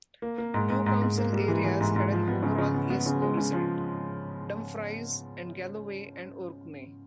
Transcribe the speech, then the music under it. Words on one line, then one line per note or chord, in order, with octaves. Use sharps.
Two council areas had an overall "Yes-No" result - Dumfries and Galloway and Orkney.
A#3
A#3
G#2
G#2
G#2
G#2
A#3
G3
E3
E3
G#2
G#2
F3
B3
C#3
C#3
B3
B3
C#3
G#3
C#3
F3